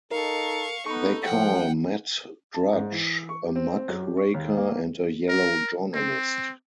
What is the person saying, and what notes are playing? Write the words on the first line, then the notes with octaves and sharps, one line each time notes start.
They call Matt Drudge a muckraker and a yellow journalist.
D#4 A4 A#4 F5 C#6
B3 D#4 A4 B5 C#6
F3 F#5 G5
A5
G#2
E3
C#6
G4
C4
F#2
G4
C#6
D#2
A#3
A#4
C4